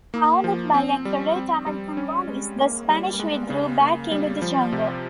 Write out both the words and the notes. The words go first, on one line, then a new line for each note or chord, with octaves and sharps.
Pounded by accurate American volleys, the Spanish withdrew back into the jungle.
A#3
F3
C4
G3
C4
G3
C#4
G#3
A#3
G3
G#3
C#3
A#3
G3
F3
C3